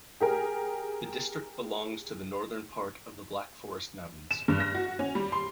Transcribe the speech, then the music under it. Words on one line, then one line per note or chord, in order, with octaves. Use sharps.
The district belongs to the northern part of the Black Forest mountains.
G4 G#4 A#4
E7
G2
A#6
F#4
C#4
G3
C6